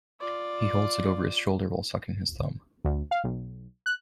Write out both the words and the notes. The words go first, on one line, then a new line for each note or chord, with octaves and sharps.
He holds it over his shoulder while sucking his thumb.
F4 D5
D2
F5
B1
F#6